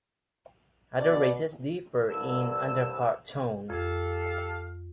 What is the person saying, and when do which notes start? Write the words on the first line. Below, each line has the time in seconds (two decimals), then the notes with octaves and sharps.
Other races differ in underpart tone.
0.99 B2 D5
2.09 C2 G2 E6
3.70 F2 G4 A4 F5